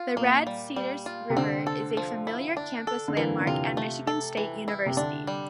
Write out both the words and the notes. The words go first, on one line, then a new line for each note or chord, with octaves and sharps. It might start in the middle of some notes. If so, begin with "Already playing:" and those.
The Red Cedar River is a familiar campus landmark at Michigan State University.
Already playing: F4
A#2 A#3
G3
G3
F4
C3
D3 C4
A4
F3
E4
D4
A4
D3
E3 A#3
D3
C3 F4
A3
A4
E3
E4
C3
D3 D4
G3